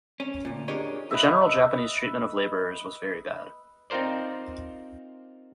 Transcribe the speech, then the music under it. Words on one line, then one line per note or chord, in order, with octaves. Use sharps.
The general Japanese treatment of laborers was very bad.
C#4
D2 A#2
D4 G4 G#4 A#4 C#5 D#5
B4 D#5 E5
C4 D#4 F4 A#4 C5 D5